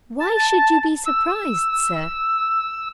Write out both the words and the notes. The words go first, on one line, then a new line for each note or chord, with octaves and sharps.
"Why should you be surprised, sir?"
A5
E6